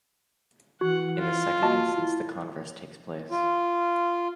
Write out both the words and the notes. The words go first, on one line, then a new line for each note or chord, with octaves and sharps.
In the second instance, the converse takes place.
E3 F#4 F#5
F4
A#3 F#4 D#5 A5
E4
F4